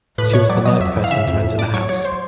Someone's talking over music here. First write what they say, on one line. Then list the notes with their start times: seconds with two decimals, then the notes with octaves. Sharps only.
She was the ninth person to enter the house.
0.18 A2 B4
0.33 A2 C#5
0.50 F#3 D5
0.65 F#3 D#5
0.80 F2 E5
0.96 E3
1.04 F5
1.11 C#3 E5
1.27 F2
1.43 A2
1.58 A2 D5
1.73 F#3 C#5
1.89 F#3 C#5
2.05 C5